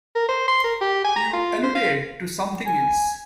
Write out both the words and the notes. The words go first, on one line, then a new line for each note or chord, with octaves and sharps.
You alluded to something else.
A#4
C5
C6
A#4
G4
G#5
A#5
F4
C5
F5
G#5